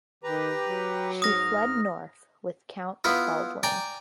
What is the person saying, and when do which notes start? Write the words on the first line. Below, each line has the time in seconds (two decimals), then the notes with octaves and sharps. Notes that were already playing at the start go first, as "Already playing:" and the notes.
She fled north with Count Baldwin.
0.24 D#3 G4 B4 A#5
0.68 F#3
1.22 G#2 D#6 F6 A#6
3.04 B3 E4 F4 D#5
3.63 D5 G5 G#5 A#5